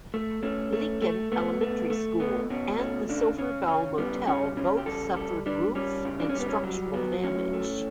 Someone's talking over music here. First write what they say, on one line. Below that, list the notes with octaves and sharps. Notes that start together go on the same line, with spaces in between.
Lincoln Elementary School and the Silver Bell Motel both suffered roof and structural damage.
A3
A3 C#4
A3
A3
A3 B3
A3
A3
B2 B3
B2 C#4
A3 C#4
C#3 D4
C#3 C#4
C#3 C#4
G3 B3
C#3 C#4
C#3 C#4
G4
G3 A4
G3 A4
G3 D4
G3 C#4
C#3
D4
C#4
G3
B3
C#4
F#3
F#3 B3
A2 C#4
A3